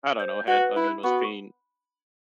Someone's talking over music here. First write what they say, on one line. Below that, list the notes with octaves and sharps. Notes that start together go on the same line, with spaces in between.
I don't know, had, I mean, I was paying
C5
F#4 B4
E4
B3 F#4